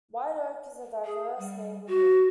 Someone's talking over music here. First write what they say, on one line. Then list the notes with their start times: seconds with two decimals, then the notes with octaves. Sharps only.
White Oak is a diverse neighborhood.
1.05 G#4
1.38 G3
1.87 F#4